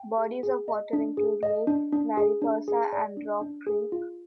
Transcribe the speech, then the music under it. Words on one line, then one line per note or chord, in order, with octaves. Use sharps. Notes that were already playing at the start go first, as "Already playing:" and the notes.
Bodies of water include Lake Mariposa and Rock Creek.
Already playing: G5
G#4
G#4
D#5
D4
G#4
D#5
D4
D4
G#4
D4
G#4
D5
D4
D4
G#4
F4